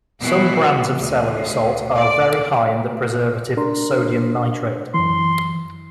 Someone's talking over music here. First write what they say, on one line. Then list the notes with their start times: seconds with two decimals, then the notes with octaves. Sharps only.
Some brands of celery salt are very high in the preservative sodium nitrate.
0.20 B2 E3 F#4
0.96 D2
1.94 D5
3.57 D4 A#4 C6
4.94 F#2 E3 C6